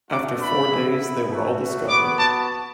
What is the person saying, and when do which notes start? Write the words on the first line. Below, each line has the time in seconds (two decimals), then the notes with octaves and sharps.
After four days they were all discovered.
0.10 A3 D4 F#4 D6
0.40 B5
0.70 B3 E4
1.29 A3 F#4
1.88 B3 F#4 D6
2.17 A5